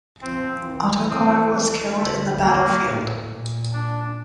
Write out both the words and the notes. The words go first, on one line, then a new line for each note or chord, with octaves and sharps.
Ottokar was killed in the battlefield.
F3 C4
E3
C4
D3 A3
A#3
A2
A#2
D4